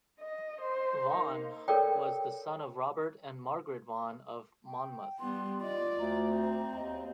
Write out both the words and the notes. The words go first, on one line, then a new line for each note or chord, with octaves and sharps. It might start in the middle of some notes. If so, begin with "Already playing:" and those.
Vaughan was the son of Robert and Margaret Vaughan of Monmouth.
D#5
C5
A#3 D#4
A4 A#4 C#5 D5 G5
G5
G3 B3 C6
F4 D5 D#5
D2 A#5
C4
D#2 D#5